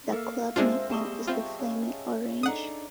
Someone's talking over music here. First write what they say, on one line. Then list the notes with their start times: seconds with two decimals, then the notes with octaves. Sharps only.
The club nickname is the flaming orange.
0.12 A#3 A4 A#4 E5 F5
0.56 G#3 C4 D4 F4 C5 E5
0.90 G3 A3 B3 G#4 D#5 E7 G7
1.27 C4 F4 E5 F5 G5
1.59 C#3
2.43 D4 D#4 A4 F#5 D#6